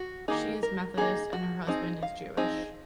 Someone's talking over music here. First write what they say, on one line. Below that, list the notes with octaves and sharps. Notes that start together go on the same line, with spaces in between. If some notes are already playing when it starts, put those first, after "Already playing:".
She is Methodist, and her husband is Jewish.
Already playing: F#4
D#3 A#3 D#4 G#4
A#4
D#3 A#3 D#4 G#4
F#4
F3 C4 D#4 G#4
F5
F3 C4 D#4 G#4